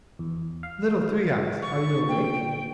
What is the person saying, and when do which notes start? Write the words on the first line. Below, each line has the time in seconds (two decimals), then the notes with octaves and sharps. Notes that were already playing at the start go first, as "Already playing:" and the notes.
'Little Three eyes, are you awake?'
0.19 E2
0.63 F5
1.27 A6
1.62 C#6
2.09 A#2 D3 G5